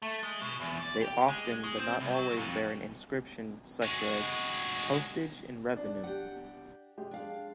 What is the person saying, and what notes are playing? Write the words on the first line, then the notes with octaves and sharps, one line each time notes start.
They often but not always bear an inscription such as "Postage and Revenue".
A3
G#3
B2
E2
D5
G4
G#3
G#3
C4
C2
F#3
F2
G#3 F#4
D4
G4 F#5
G#3 G4
D4 F5